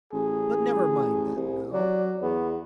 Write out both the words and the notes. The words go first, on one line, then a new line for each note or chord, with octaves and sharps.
But never mind that now.
A1 G#4
C2
F#3 D5
E2 B3